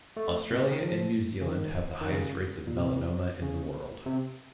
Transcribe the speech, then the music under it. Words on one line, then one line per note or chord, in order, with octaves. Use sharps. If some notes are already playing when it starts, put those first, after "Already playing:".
Australia and New Zealand have the highest rates of melanoma in the world.
A3
C3
C#3
D#3
F3
C#3
D#3
D#3
C#3
A#2
C3
C#3
C3